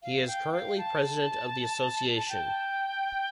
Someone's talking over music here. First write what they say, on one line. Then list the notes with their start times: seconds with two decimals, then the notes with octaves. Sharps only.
He is currently president of the association.
0.02 F5
0.28 G5
0.53 F5
0.78 A5
2.29 G5